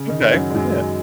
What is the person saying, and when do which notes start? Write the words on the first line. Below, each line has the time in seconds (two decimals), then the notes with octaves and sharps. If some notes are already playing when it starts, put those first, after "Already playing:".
Okay. Yeah.
Already playing: C#3
0.10 D#3
0.21 D#3
0.33 F#2 F#3
0.50 G#3
0.55 F#2 F#3